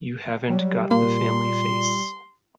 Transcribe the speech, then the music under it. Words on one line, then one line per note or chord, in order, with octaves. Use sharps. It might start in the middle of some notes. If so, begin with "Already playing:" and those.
You haven't got the family face.
F#3 G3
A#2 A#3 C6